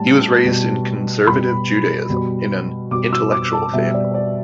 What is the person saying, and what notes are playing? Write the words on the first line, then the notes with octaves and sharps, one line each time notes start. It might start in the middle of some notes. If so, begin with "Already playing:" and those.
He was raised in Conservative Judaism, in an "intellectual family".
Already playing: A2 G3 A5
B2 G3
B2 G3 B5
B2 G3
B2 G3 D6
E6
D6
A5
B2 G3 E5
D5
D5